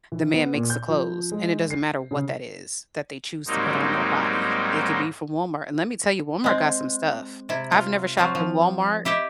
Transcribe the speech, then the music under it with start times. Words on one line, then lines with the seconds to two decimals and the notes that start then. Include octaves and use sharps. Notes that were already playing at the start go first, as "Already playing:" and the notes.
The man makes the clothes, and it doesn't matter what that is that they choose to put on their body. It could be from Walmart, and let me tell you, Walmart got some stuff. I've never shopped in Walmart,
0.12 E3
0.35 B3
0.54 A#2
0.70 G6
0.88 F3
1.32 G#3
1.70 C7
2.11 C#3
3.47 G#2 F#3 G3 A#3 C4 D#4
6.44 G#3 C4
7.49 C3 E4
7.72 F4
8.17 F3 F#3 C4 F4
8.35 F3
9.05 E4 G4 D#5 E5